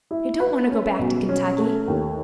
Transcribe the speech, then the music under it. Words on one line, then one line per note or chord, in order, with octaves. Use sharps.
I don't want to go back to Kentucky!
E4
B4
C#4
B2
C#4
A3
D#2